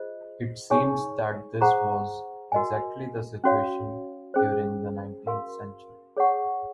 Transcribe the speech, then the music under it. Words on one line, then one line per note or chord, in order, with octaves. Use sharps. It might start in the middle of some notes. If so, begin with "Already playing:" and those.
It seems that this was exactly the situation during the nineteenth century.
Already playing: F4 G#4 C5 D#5
D#4 G#4 C#5 G#5 C#6
G#4 C5 F#5 A#5 C#6
F#4 A#4 D#5 G#5
C#4 F#4 C#5 F5
C#4 G#4 C5
F#4 A#4 F5 C6
G#4 C#5 F#5 C#6